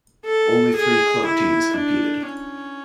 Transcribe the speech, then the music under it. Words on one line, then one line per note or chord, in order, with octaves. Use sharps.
Only three club teams competed.
A4
G#4
E4
D4
C#4